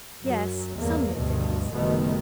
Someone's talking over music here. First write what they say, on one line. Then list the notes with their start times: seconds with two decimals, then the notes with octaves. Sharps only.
'Yes, some new things.
0.22 F#2 F#3
0.76 G1 E2 A#3
1.16 D2 G2 B2
1.73 F#1 B2 D#3 G3 A3 B3